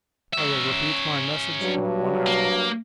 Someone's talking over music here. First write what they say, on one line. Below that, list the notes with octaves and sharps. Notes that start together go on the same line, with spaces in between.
I will repeat my message in one hour.
C#4 E5
G2 F#3
A#3